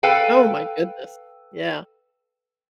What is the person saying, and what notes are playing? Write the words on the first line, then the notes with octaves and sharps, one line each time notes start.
Oh my goodness. Yeah.
A4 B4 F5 G5